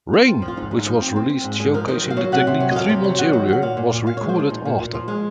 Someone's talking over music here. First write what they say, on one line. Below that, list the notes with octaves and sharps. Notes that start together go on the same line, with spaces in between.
"Rain", which was released showcasing the technique three months earlier, was recorded after.
C4 F4
C4
F3
F4
G#2 D#4
G#2
D#4
F3
C4 F4
C4
C4
G#2
G#2 G#4
F3 A#4
D#3 D#5
F#3
F5
F#3
C3 F#5
C3
F#3
D#5
F2 F5
C3
F#3
D#3 F#5
F#3
D#3 F#5
A#2 F5
A#2
A#2
A#2 F5
C#5
G#3
C5
F3 F4
A#2 D#4
A#2
A#2
F3 F4
G#3 F4